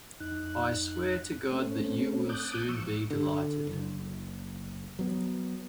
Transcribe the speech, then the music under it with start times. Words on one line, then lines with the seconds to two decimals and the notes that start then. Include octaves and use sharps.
I swear to God that you will soon be delighted!
0.20 F2 D#4 F#6
1.52 A3 C4 C#4
2.29 A5 D6 D#6 F#6 G6
2.69 F3 C#6 E6
3.11 D3
3.67 F#1
4.99 F#3 B3